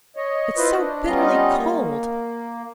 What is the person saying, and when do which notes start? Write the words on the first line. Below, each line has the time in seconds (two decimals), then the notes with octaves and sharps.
It's so bitterly cold.
0.16 C#5 D#5
0.57 E4 F4 B4 C5 D#5
0.77 D4
1.06 G3 B3 C#4 D#4 F4 D#5
1.55 A#3